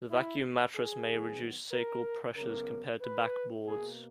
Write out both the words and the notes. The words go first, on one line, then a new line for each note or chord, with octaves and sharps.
The vacuum mattress may reduce sacral pressures compared to backboards.
E4
G#4
D#3 F#3 B3
A#4
C#3 F#3 B3 A#4
B4
B2 A#3 G#4